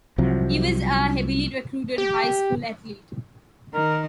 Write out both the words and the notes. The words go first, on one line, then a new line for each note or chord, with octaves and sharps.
He was a heavily recruited high school athlete.
C2 C3 F3 F#3
G4
D#3 A#4